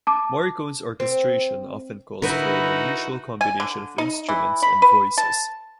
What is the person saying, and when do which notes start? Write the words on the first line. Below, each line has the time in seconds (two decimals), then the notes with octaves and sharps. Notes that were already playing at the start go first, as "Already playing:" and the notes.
Morricone's orchestration often calls for an unusual combination of instruments and voices.
0.07 A5 D6
1.00 C4
2.22 D3 D#4 E4 F#4 A#4 B4
3.41 G#5
3.60 D3
3.98 D#4
4.29 E3
4.62 B5
4.82 B4
5.18 A5